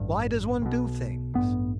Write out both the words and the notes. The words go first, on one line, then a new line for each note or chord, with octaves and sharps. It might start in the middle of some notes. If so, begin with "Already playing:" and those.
Why does one do things?
Already playing: A1 G2
B1 B2
A1 G2 B3